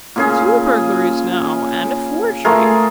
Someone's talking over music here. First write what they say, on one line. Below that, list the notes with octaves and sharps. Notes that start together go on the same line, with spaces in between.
'Two burglaries now, and a forgery!'
A#2 C#3 G#4
A3 F4 G#4 A#4